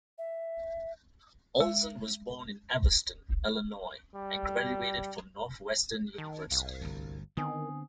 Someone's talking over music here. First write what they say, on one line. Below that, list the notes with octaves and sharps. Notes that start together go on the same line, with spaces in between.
Olson was born in Evanston, Illinois, and graduated from Northwestern University.
E5
G#3
G3
D#3 A5
C2 F5
G1 D2
D3 D#3 B3 C4 G#5 D#6